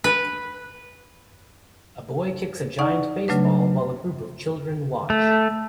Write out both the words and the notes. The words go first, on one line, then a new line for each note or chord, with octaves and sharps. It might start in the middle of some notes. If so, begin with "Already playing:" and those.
A boy kicks a giant baseball while a group of children watch.
B4
D#4 D5 F#5 C#6
C#3 F#3 A3 D4 B4
A3